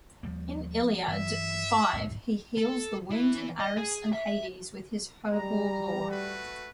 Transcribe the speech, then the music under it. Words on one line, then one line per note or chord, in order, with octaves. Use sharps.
In "Iliad" V he heals the wounded Ares and Hades with his herbal lore.
D#2 F3 G3 A#3
G2 E3 F#3 E5
D1 B1 E2 G#2
A4
E3
D#5
G#4
E5
G3 A#5
A3 F#4 B4